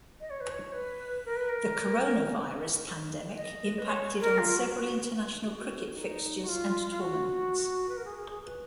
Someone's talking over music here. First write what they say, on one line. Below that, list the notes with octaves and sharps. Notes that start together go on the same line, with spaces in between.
The coronavirus pandemic impacted on several international cricket fixtures and tournaments.
D#5
C#5
B4
C#5
B4
A#4
B4
A#4
D#5
B4
C#5
A#4
F4
F#4
F#4
F#4
D#4
F#4
F4
F4
F#4
B4
A#4
G#4
G#4
G#4
B4